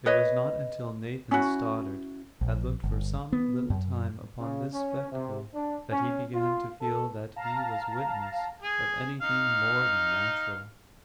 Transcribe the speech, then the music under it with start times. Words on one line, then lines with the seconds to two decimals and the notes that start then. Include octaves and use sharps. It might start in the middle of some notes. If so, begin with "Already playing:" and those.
It was not until Nathan Stoddard had looked for some little time upon this spectacle that he began to feel that he was witness of any thing more than natural.
0.06 B4 C#5 D#5
1.31 C#4 E4 F#4
2.41 A#1
2.84 G1
3.32 B3
3.70 F#2
4.39 C#3
4.72 C#4
5.11 C3
5.55 D4
5.90 C#4
6.33 F4
6.80 A4
7.36 F5 A5 A#5
8.62 G#4
9.22 D#4 F5